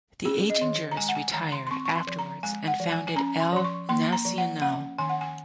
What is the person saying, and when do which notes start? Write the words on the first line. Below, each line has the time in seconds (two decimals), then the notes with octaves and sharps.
The aging jurist retired afterwards, and founded "El Nacional".
0.25 C#4 G#4
0.50 D#5
0.61 D#3
0.91 A#5
0.97 G#3 G#5
1.09 F#5
1.15 G#5
1.34 D#3 A#5
1.52 C6
1.67 C6
1.71 C4 C#6
1.85 C#6
1.95 C6
2.07 F3
2.19 A#5
2.43 G#3 G#5
2.68 F#5
2.80 F3
2.92 G#5
3.07 G#5
3.16 C#4 A#5
3.40 C6
3.52 F3 C6
3.64 C#6
3.89 A#3 C6
4.13 A#5
4.25 F3
4.38 F#5
4.61 C#4 F#5
4.98 D#3 G#5
5.09 F#5
5.21 G#5